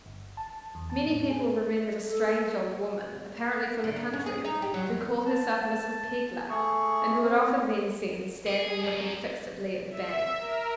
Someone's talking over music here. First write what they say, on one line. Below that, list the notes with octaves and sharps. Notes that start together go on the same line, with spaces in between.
Many people remembered a strange old woman, apparently from the country, who called herself "Mrs. Pegler," and who had often been seen standing looking fixedly at the bank.
G1
A5
E2
A5
A2
G#4
A4
D3
A#3
C#4
G#4
D#4
G4
F#3
E2
A5
A3 G#4 C#6
C4
G#4
F#2
E5
A#4